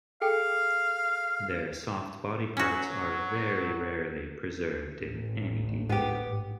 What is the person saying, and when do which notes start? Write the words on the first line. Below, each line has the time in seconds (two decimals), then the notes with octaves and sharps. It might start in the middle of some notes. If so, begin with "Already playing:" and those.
Their soft body parts are very rarely preserved in any detail.
0.22 G#4 A4 F5 G5
2.57 F#3 C#4 F#4
5.01 A1
5.89 G#2 B3 G4